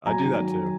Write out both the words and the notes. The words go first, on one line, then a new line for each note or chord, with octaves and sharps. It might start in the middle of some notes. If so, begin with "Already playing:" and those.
I do that too.
F#3 G#5 A#5
D#3
F#3